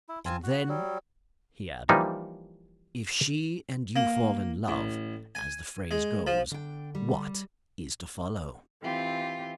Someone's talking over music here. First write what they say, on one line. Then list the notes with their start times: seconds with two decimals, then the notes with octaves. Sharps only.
"And then," he added, "if she and you fall in love, as the phrase goes, what is to follow?"
0.09 E4
0.25 C4 F4 G#5 A5
0.43 F#4
0.69 F#3 G3
1.89 E3 F3 G3 A#3 D#4
3.96 A#3
4.68 A1
5.35 G#5
5.91 G#3
6.27 F3
6.52 D3 D4 G5
6.95 G3
8.82 E3 C4 F4 G4